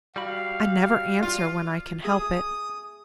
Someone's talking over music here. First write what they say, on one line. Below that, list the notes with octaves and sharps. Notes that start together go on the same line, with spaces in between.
I never answer when I can help it.
G3 F#4 F5 B5
F4
G#4 E5 D#6